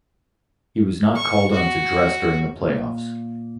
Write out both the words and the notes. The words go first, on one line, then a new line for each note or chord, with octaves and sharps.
He was not called on to dress during the playoffs.
C#6
F#4
A#2